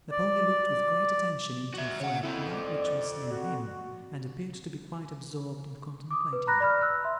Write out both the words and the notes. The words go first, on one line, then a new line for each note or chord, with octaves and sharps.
The pony looked with great attention into a fire-plug which was near him, and appeared to be quite absorbed in contemplating it.
D5
F#4 E5
C#3 C#5 F#5
C4 E4 A4
D5
F#4
D6 D#6
B4
A#5 B5 F#6 A#6
D5 B5 F6
E6 F#6
E5 C6